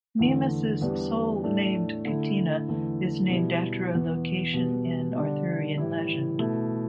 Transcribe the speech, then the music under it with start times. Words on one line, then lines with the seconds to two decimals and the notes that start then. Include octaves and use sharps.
Mimas's sole named catena is named after a location in Arthurian legend.
0.19 E2 D3 A3
0.81 E2 E3 G3 B3 D4
1.43 A2 A3 D4
2.05 D3 A3 E4
2.68 E2 D3 A3 E4
3.29 B2 G3 E4
3.92 E2 E3 B3
4.53 B2 G3 B3
5.16 D3 G3 D4
5.78 A2 E3 G3 E4
6.39 B2 A3 E4